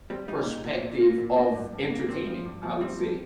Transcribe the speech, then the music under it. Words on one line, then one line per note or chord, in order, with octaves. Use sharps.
perspective of entertainment, I would say.
G3 C4
G3 D#4
A#2
A#2
A#2
A#3
A#2
A#3 D4
G2
G2
A#3
G2 C4
F3
G2
F3
G3 C4
F2